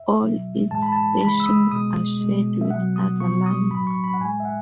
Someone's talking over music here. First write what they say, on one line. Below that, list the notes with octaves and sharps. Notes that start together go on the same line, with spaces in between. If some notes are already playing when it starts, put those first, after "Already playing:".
All its stations are shared with other lines.
Already playing: E5
B2 F#3
A2 E3 G#3 A5
B5
A5
C#3 E3 G#3 B5
E6
D#6
B2 G#3 D#6
B2 G#3
E5
B2 F#3 F#5
D#6
B2 F#3 C#6
D#6
A2 F#3 B5
C#6
B5
F#5
A2 G#3 G#5
E5
F#5